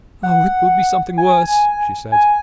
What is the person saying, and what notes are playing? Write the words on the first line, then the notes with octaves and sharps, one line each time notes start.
'Oh, it will be something worse,' she said.
F#5
G#5
G#5